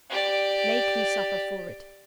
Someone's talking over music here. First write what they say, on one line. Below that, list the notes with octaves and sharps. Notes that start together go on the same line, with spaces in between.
Make me suffer for it.
G4 D5